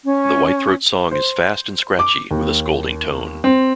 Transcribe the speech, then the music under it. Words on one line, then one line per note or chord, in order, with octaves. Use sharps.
The whitethroat's song is fast and scratchy, with a scolding tone.
C#4
C5
D6
D#2
C4